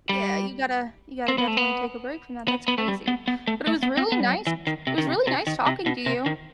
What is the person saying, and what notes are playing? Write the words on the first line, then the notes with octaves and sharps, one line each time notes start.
Yeah, you gotta you gotta definitely take a break from that, that's crazy. But it was really nice it was really nice talking to you.
G3
C4
B3
A3
B3
B3
B3
A3
G3
B3
B3
A3
A3
B3
C4
B3
G3
F#3
E3
D#3
C3
D#3
C3
C3
D#3
C3
B2
C3
D#3